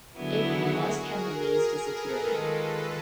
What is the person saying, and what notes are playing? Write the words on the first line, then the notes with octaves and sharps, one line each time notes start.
It must have the means to secure an end.
D3 F#3 B3 E4 F#4 G#4
G#4 A#4
A4 B4
D#3 G#3 C#4 F4 A4 B4